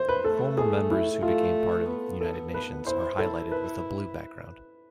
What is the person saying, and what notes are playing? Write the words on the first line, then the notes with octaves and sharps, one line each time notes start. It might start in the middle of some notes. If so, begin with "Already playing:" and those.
Former members who became part of United Nations are highlighted with a blue background.
Already playing: C5
B4
A3 A4
G#4
E4
A3 F4
B3
A4
B4
E4 C5
E4 A4
B4